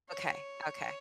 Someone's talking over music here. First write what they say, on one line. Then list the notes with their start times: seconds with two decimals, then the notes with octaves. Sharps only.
Okay, okay.
0.10 C#5